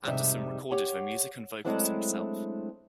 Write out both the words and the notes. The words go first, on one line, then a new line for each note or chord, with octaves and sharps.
Anderson recorded the music and vocals himself.
F2 G#2 C3 G3 D#4 E5
G4 C#5 F#5
F#3 G#3 A3 C4 D4 E4